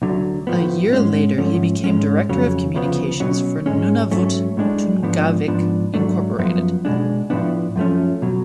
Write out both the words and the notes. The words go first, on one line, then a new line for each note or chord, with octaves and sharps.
A year later, he became director of communications for Nunavut Tunngavik Incorporated.
D2 D3 F#3
A2 F3 B3
G#2 G#3 C#4
G#2 F3 A3 C#4
G#2 G#3 C#4
F2 C#3 F#3 C#4
D2 C#3 F3 B3
B2 F#3 C#4
G#2 G#3 C#4
G#2 F#3 A3 C#4
A2 G#3 D4
G#2 F3 B3 D4
G#2 F3 B3 D4
G#2 F#3 A3 D4
F#2 F3 B3
B2 G#3 D4
A2 F3 B3 D4
F#2 F3 A3 C#4
B2 F#3